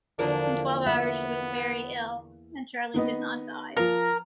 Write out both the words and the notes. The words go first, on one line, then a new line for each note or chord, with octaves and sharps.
In twelve hours she was very ill. And Charley did not die.
E2 D3 F3 A#3 D4 A#4
B3 E5
D#3 B3 D#4
F3 F4 A#4